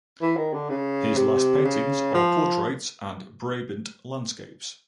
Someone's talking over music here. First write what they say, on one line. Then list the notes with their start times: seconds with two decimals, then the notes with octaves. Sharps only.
His last paintings are portraits and Brabant landscapes.
0.22 E3
0.37 D#3
0.53 D3
0.69 C#3
1.17 C3
1.65 C#3
2.14 F3